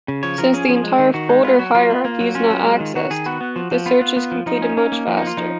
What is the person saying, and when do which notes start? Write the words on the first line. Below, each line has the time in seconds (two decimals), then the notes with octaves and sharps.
Since the entire folder hierarchy is not accessed, the search is completed much faster.
0.08 C#3
0.23 F3 C#5
0.38 F3 A#4
0.54 C#4 G#4
0.69 F3
0.84 G#3
0.99 D#3
1.14 D#3 F#4
1.29 G#3 D#4
1.44 B3 F4
1.59 F#3 F#4
1.75 F#3 F4
1.90 B3
2.05 A#3
2.20 F#3
2.35 C#4 F4
2.50 F#3
2.65 G#3
2.80 D#3
2.95 D#3 F#4
3.10 D#3 G#4
3.26 B3 F#4
3.41 B3
3.56 F3
3.71 F3
3.86 B3 F4
4.01 B3
4.17 B3
4.32 F3
4.46 F3 D#4
4.62 C#4
4.77 C#4
4.92 A#3
5.07 F3
5.17 D#4
5.22 A#3
5.27 F4
5.37 F3 D#4